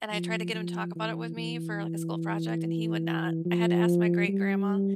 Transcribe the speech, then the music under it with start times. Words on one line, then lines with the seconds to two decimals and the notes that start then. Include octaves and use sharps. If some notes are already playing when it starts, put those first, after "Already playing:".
and I tried to get him to talk about it with me for, like a school project, and he would not. I had to ask my great-grandma,
0.12 F3
0.54 F3
0.96 E3
1.37 E3
3.45 F3
4.28 G3